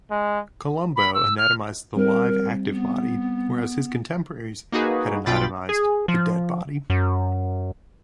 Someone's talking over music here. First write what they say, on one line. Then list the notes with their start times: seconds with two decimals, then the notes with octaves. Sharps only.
Colombo anatomized the live, active body whereas his contemporaries had anatomized the dead body.
0.11 G#3
0.96 B5
1.14 E6
1.38 F6
1.96 G3 C4 A#4
2.74 B3
4.72 A#3 D#4 F#4 G#4 B4
5.26 B1 B2 F4 G5 B5 A6
5.69 G#4
6.08 F3
6.90 F#2